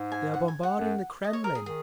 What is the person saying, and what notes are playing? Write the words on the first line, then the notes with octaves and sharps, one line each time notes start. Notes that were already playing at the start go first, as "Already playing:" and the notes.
"They are bombarding the Kremlin!"
Already playing: G#2
G#5
F#5
G#5
F#5
F#2
D#5
C#5
A#4
G#4
D#3 G#4